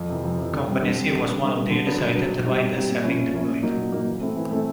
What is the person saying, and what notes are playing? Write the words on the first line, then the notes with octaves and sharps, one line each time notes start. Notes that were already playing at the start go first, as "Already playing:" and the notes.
Company C was one of the units identified as having deployed.
Already playing: F2
C3 E3
F2
C3 E3
D3
G3 C4
D3
G3 C4
D3
G3 B3
D3
G3 B3
D3
F#3 B3 D4
D3
F#3 B3 D4
B2
G3 C4 D#4 G4
B2
G3 C4 D#4 G4
A#2
F3 A#3 C#4 E4
A#2
F3 A#3 C#4 E4
A#2
F#3 A#3 D#4
A#2
F#3 A#3 D#4
E3
A3 C4 E4
E3
A3 C4 E4